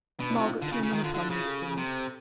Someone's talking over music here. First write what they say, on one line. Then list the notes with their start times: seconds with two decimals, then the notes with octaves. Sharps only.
Margaret came in upon this scene.
0.20 B2 D4
0.30 D4 E4
0.35 C3
0.40 D#4 F4
0.62 D3
0.72 C#3
0.83 C#3
0.93 D#3
1.04 D3 F4
1.14 D3 E4 F#4
1.30 C#3
1.46 G4 A4
1.77 C3